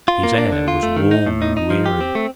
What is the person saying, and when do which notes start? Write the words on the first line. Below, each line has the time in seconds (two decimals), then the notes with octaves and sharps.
His air was worn and weary.
0.08 F4
0.23 A#3
0.38 D4
0.52 D3
0.68 F4
0.83 A3
0.96 D#3
1.11 D#4
1.26 A2
1.42 D#4
1.57 D#4
1.70 F3
1.86 G4
2.01 C4
2.15 A3